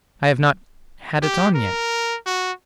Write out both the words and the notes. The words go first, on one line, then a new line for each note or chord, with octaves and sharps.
I have not had it on yet.
G4
A#4
F#4